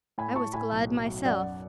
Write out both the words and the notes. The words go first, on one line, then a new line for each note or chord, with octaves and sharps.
I was glad myself.
A2 G#5 B5
A2 A5 C#6
A2 G#5 B5
B1
F#3
F#3
F#2 D5 F#5